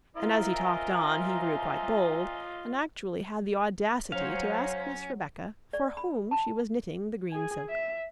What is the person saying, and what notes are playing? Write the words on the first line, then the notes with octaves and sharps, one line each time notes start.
And as he talked on, he grew quite bold, and actually had the audacity to ask Miss Rebecca for whom she was knitting the green silk purse?
C4 E4 F4 A#4 D#5 E5 A#5
G#5
F#3 C#4 C5 C#5 F5 A#5
D5
B5
A5
G#4 G#5
E5